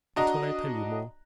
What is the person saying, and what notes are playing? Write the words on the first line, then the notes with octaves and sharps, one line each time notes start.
What shall I tell you more?
D4 F#4 D#5 A#5